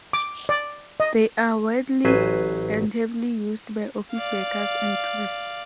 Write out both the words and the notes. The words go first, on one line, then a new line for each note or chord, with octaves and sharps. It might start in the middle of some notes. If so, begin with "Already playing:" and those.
They are widely and heavily used by office workers and tourists.
D6
D5
D#5
A1 F#3 B4 C5 G#5
D5 F5